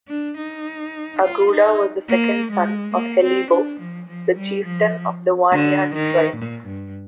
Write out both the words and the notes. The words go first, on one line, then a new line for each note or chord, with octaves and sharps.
Aguda was the second son of Helibo, the chieftain of the Wanyan tribe.
D4
D#4
F4
D#4
A#3
G#3
A#3
C4
D4
F3
F3
G3
F3
D3
D#3
A#2
G2